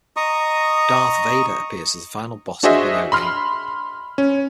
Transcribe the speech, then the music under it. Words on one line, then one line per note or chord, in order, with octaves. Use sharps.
Darth Vader appears as the final boss in the video game.
D#5 A#5 C#6 D#6
D4 F#4 G#4 C5 D#5 E5
B5 C6 F6
C#4